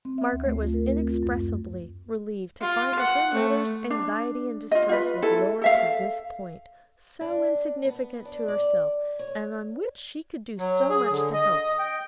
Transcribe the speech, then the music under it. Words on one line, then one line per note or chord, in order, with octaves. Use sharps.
Margaret was inexpressibly relieved to find that her mother's anxiety and distress was lowered to this point, so insignificant to herself, and on which she could do so much to help.
C4
E5
D2
A3
F4
A#4
C4
F4
F#2
F4
F#5
A3
D4
F4 D#5
F4 B4
E4 A4
A4 E5 F5
D4
B3
D4
D5
C#5
F#3
G#4
D3
D#5
G5